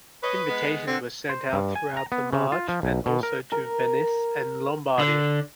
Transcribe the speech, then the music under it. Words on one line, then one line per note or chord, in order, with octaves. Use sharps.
Invitations were sent throughout the March and also to Venice and Lombardy.
B4 C#5 D#5
G#3 B3
D3 C4
C5
G2
G#5
A#5
B3
C#3
F4
F3
B1
B2
A#4
A#4
D3